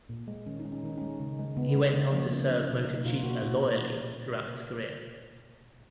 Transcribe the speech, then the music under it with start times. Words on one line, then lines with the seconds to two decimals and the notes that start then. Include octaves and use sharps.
He went on to serve Motochika loyally throughout his career.
0.09 A#2
0.28 G#3
0.46 D#3 C#4
0.59 D#4
0.65 G#3
0.72 C#4
0.83 D#3 D#4
0.98 G#3 C#4
1.20 C#3
1.39 G#3
1.57 C#3 B3
1.75 G#3
1.94 C#3
2.13 F3 A#3
2.31 C#3 B3
2.41 C#4
2.50 F3 A#3 D#4
2.68 B2 D#4
2.86 A#3 D#4
3.05 B2 F4
3.23 A#3 F#4
3.42 A#2 F#4